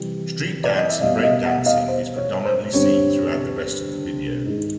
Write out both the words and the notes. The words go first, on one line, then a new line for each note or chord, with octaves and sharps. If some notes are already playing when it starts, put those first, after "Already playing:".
Street dance and breakdancing is predominately seen throughout the rest of the video.
Already playing: C3 E3 G3
D5
D#5
E5
B2 G3 B3 D#5 F5
E5
D#5 F5
E5 F#5
D#5 F5
C5
C#5
C5
G2 D3 G3 C4 C#5
G#2 D#3 G#3